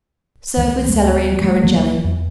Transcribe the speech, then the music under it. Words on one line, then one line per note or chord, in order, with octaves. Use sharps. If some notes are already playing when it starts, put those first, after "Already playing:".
Serve with celery and currant jelly.
C#2 E3
D2 G#3 B3
E3 F#3 G3 A3
D1 E3 F#3 A#3
E2